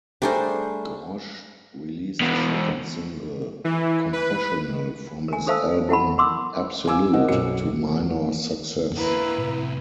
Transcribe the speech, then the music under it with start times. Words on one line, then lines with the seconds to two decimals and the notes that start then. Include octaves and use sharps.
Grosch released a second single "Confessional" from his album "Absolute" to minor success.
0.22 G3 A3 D4 G#4 A#4 C5
2.21 E2 B2
3.64 E3
4.13 B4
5.28 A#4 G#5
5.47 D4 A4 C5 F5 A5 E6
5.89 E4 F#5 A5 B5
6.18 A#4 F#5 C6 D6 E6
6.87 F5 G#5 D6 E6
7.13 C4 A#4 D#5 F#5
7.28 B1 F#2 B2 C#7
8.97 D3 A#3 E4 B4 A#5
9.38 A2 C3